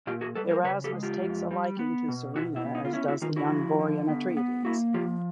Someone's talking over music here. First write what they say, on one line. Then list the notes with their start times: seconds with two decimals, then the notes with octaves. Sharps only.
Erasmus takes a liking to Serena, as does the young Vorian Atreides.
0.07 A#2 F4 G4
0.21 F#4 G#4
0.35 G3 A4 B4
0.50 A#4 C5
0.65 C#3 B4 C#5
0.84 G4 A4
0.93 G#3
1.03 F4 G4
1.22 F2
1.51 G3
1.79 B3
2.08 B2
2.36 B2 E4 F#4
2.56 E4
2.64 B3
2.75 D#4
2.85 F4
2.93 C#4 E4
3.08 E4 F#4
3.22 D#3 D#4 F4
3.36 E4 F#4
3.50 F3
3.79 D3
4.08 B3
4.37 B3
4.65 A#3 E4 F#4
4.94 F3 F4 G4